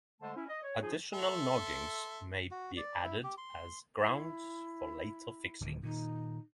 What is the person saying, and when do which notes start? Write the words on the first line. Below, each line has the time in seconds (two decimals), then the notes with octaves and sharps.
Additional noggings may be added as grounds for later fixings.
0.21 D3 G#3 A3 C5 A5
0.35 C#4 E4
0.48 D#5
0.62 C#5
0.81 F3 D#4 F4 G#4
1.13 A4 E5 C6
2.51 F#4
2.77 D5
3.04 E4
3.24 G4
3.38 C6
4.01 E4
5.61 D1 D2 D#3
5.83 A#2 D#3 D#4